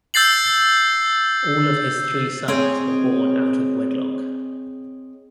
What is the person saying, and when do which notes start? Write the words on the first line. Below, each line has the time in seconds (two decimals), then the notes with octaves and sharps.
All of his three sons were born out of wedlock.
0.14 E6 G6 A6 C7 F#7
2.48 C4 G#4 C#5 D#5